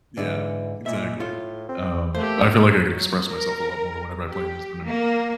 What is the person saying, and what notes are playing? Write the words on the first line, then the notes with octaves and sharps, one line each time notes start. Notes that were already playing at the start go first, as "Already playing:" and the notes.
yeah, exactly, um, I feel, like, I could express myself a lot more whenever I play an instrument.
G#2 D3 E3
A#2 G#3 E5
A2 F4
C4
A3 A#3 G4 C5
F#3
A#4
G4
A#3